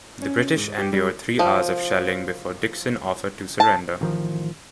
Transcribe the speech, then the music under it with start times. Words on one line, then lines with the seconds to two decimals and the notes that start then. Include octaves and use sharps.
The British endured three hours of shelling before Dickson offered to surrender.
0.22 C#4
0.56 G#2
0.78 G4
0.93 G3
1.39 F3
3.60 A5
4.01 A1 D#3 F3